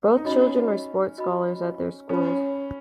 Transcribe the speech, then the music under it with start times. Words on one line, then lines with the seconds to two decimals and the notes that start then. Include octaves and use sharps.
Both children were sports scholars at their schools.
0.17 D#4
0.25 C#4 F#4 D#5 B5
1.18 F#4 D#5 B5
2.09 C#4 C#5 B5